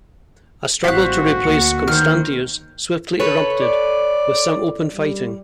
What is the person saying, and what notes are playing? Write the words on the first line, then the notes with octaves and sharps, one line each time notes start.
A struggle to replace Constantius swiftly erupted, with some open fighting.
A1 G3 C4 F#4 C5 F5 F#6 B6
D2 A#3 C#7
D#3 C5 F6
A4 B4 C#5
D5
G3